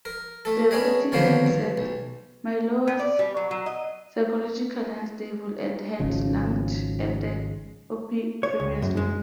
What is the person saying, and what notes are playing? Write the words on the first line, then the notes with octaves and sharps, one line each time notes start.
The Vatican said Maiolo was "psychologically unstable" and had lunged at the Pope previously.
A#4
A3 A4
B3 C#4 D4 G#4 D#5
D3 D#3 F3 F#3 A#3 B3
G2
B1
B3
D5
G3
F#3
F#3
D#5
G#1 C#3 F3
C#5
C#2
F#2
G#3